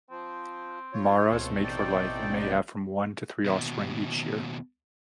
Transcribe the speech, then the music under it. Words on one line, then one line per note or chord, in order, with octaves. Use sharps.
Maras mate for life, and may have from one to three offspring each year.
F3 C4
F4 C#5
C#2 B2 A3 C4
A1 D#4 D5 G5
D#2 B2